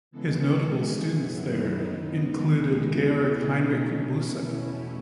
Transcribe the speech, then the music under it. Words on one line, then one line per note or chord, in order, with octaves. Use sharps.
His notable students there included and Georg Heinrich Busse.
C#3 E3 G#3 B3 A4
G#4
F#2 D#3 F#3 B3 E4
D#4
E2 D#3 G#3 B3
E4
B2 A3 C#4 D#4
E4
E2 B2 A3 C#4